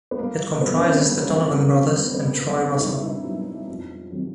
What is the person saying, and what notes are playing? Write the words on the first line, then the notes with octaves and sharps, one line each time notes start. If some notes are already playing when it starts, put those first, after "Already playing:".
It comprises the Donovan brothers and Troy Russell.
B3
C2 A#3
B2 F#3 B3
D4
C#4
C4
B3
C2 A#3
A#3
B2 F#3 C4
C4
C2 B3
C4
B3
B2 F#3 A#3
D4
C2 D#4
E4
D#4
B2 F#3
F2
C3 D#3 F#3